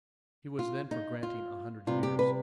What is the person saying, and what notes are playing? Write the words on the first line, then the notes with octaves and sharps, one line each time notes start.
He was then for granting a hundred years.
F4
D#4
F4
C3 G3 B3 F4
G4
B4